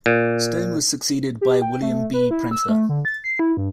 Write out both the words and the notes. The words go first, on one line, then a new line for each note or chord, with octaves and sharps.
Stone was succeeded by William B. Prenter.
A#2
G4
G5
A3
B4
E4
E6
A3
D3
A6
C7
E4
G2